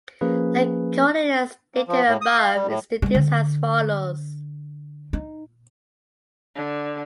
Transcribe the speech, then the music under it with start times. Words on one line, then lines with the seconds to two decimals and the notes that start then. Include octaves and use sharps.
The Corollary stated above is deduced as follows.
0.21 F3 A#3 C#4 G#4 B4
1.75 A#3
1.88 F3
2.08 A2
2.21 D#6
2.38 F5
2.55 G3
2.68 A2
3.02 G3 G#3
3.14 D3
5.13 D#4
6.55 D3